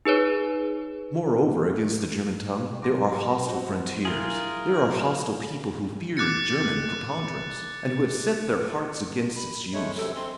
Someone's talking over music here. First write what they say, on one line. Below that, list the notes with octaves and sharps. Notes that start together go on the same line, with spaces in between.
Moreover, against the German tongue there are hostile frontiers, there are hostile people who fear German preponderance, and who have set their hearts against its use.
D#4 G#4 B4 C#5
F#3 C6 D6 A#6
C4 F#4
E4 F4 G#4 A#4
F#3
D6 F#6 A6 C#7
B5
G#3 A3 C#5
F#2 C3 A4
C4 C6